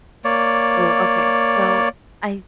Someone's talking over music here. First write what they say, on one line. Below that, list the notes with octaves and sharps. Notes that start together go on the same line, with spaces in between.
Ooh, okay. So, I
A#3 C#5 D5